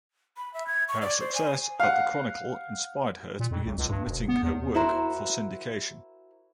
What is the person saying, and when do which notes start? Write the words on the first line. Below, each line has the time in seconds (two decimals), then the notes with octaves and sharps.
Her success at the Chronicle inspired her to begin submitting her work for syndication.
0.37 B5
0.54 E5
0.67 G#6
0.88 C#6
1.02 D5
1.20 C5
1.35 G#5
1.80 F5 F#5
3.40 A#2
3.51 F2
3.66 B1
3.78 C#2
3.90 G2
4.07 E1
4.28 B3
4.43 E2
4.75 E4 F#4 A#4 C5